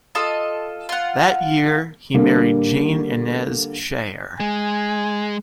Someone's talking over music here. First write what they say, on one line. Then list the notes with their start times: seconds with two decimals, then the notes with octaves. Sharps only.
That year he married Jane Inez Scheyer.
0.15 F4 A4 D#5
0.89 F4 F#5
2.14 D3 G3 A#3 D4
4.40 G#3 G#5